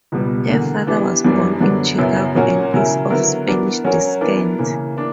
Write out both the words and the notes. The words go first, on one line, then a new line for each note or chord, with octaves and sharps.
Her father was born in Chicago and is of Spanish descent.
C#2 B2 G3 B3
E2 D3 A#3
E3 B3 D4 G4
F#2 E3 G3 B3 D4
F#2 D3 F#3 B3 D4
F#2 C#3 F#3 B3 E4
A#2 F#3 C#4 F#4 A#4
C#3 F#3 C#4 E4 A#4
D3 F#3 B3 E4 A#4
E3 B3 D4 F#4 A#4
F#3 C#4 F#4 A#4 C#5
E3 B3 D4 A#4
C#3 E3 A#3
E3 A#3 D4